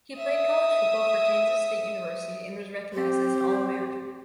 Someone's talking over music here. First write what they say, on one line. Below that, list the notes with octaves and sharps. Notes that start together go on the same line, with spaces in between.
He played college football for Kansas State University and was recognized as an All-American.
E5 D#6
C4 G4